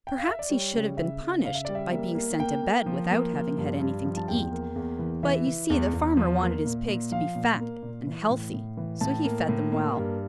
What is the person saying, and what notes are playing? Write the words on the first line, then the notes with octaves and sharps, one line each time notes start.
Perhaps he should have been punished by being sent to bed without having had anything to eat, but you see the farmer wanted his pigs to be fat and healthy, so he fed them well.
G5
F5
E5
D5
G3 C#5
C#3
C#3 E5
C#3
C#3 F5
E5
G3 D5
E5
A#3
A#3
A#3 G5
A#3
F3
A#3
F3
G2
G2
F3
A5
E2 G5
A#3
E2
E3
E3 E5
E3
E2
E2
F3
A#3
A#2
A#2
F3 F5
A#2
A#3
A#2
E3
A2
A2
E3
A2 A5
A#3
A2
A#3
G2